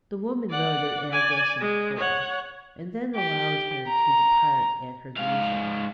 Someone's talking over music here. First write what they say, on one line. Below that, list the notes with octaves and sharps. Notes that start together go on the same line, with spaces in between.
The woman wrote her address in full and then allowed her to depart at her leisure.
D5 F#5
D5 G#5
G#3
C#5 F#5
G4
A#5
G#2 F5